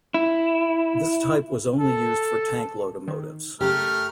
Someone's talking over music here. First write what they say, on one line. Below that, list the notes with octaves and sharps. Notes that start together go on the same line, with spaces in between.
This type was only used for tank locomotives.
E4
A4
D#3
F#2 C#3 A3 G4 A#4 F6